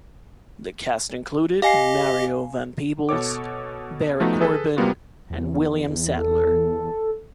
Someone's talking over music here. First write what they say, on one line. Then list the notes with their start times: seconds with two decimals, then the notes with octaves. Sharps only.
The cast included Mario Van Peebles, Barry Corbin, and William Sadler.
1.62 G4 D#5 F5 G#5 C7
3.09 B2 A4 C#5 D6
4.20 F3 A3 B3 D#4 F#4
4.41 G#4 A4 B4
4.76 C3 G3 A#3 B3 F4 F#4
5.30 E2
6.17 A4